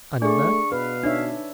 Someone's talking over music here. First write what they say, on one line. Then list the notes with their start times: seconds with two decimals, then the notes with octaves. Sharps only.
"I know that."
0.22 A3 D4 G#4 D5 C#6
0.72 B2 B4 F5
1.03 D4 D#4 C#5 E5